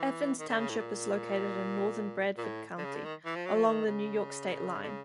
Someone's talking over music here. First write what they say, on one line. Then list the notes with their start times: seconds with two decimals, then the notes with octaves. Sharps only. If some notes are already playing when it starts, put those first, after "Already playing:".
Athens Township is located in northern Bradford County, along the New York state line.
Already playing: E3
0.39 D#3
0.49 D3
0.59 C#3
0.70 A2
0.79 A#2
2.38 A#2
2.44 A2
2.78 D3
2.84 C#3
2.95 D3
3.05 D#3
3.26 E3
3.36 F3
3.46 F#3
3.56 F3
3.66 D#3
3.87 C#3
4.83 D3
4.89 C#3